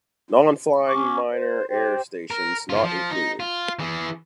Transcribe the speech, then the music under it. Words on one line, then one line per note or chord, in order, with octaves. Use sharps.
Non-flying minor Air Stations not included.
C#4 C#6 D6
C5
G4 C5 G5
A#4
G2 F4
F3
D#4
F4
E3 G#4